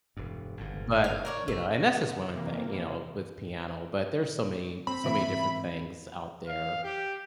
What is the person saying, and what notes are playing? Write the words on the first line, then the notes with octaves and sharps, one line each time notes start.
but, uh, you know, and that's just one thing, you know, with piano, but there's so many so many different things out there,
E1 G2
G1 G#2
F5
A#4 C#5 D5
F1 A3
C3 E3 A#3
C4 B5
G#2 E3 E5
F5
G4